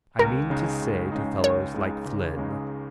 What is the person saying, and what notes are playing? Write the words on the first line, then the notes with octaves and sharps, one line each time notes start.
I mean to say to fellows like Flynn.
C#2 A#4
C#3 G#3 D#4
C#2
C#3 G#3 D#4
C#2 C#5
C#3 G#3 D#4
C#2
C#3 G#3 D#4